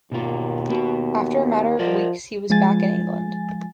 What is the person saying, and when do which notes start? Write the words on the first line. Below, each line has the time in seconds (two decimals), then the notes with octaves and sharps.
After a matter of weeks he was back in England.
0.12 D#2 B2 F4
0.69 B3 F#4
1.79 F3 A#4 D5 D#5
2.50 F3 G#3 F4 G#5 A6